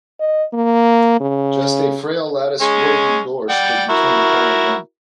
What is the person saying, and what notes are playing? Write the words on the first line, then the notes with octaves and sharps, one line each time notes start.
Just a frail latticed wooden door stood between her and them.
D#5
A#3
C#3
G#3 C#4
D5 F#5 G5
E4 F#4 A#4